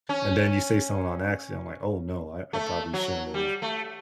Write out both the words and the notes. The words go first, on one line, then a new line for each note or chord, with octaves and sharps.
And then you say something on accident, like, "Oh, no. I I probably shouldn't have
C#4
A3
F#3
G3
A3